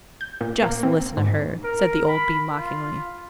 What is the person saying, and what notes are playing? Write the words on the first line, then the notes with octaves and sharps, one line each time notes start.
"Just listen to her!" said the old Bee mockingly.
G6
A#2
A#3
C4
G#2
A#4
B5
F4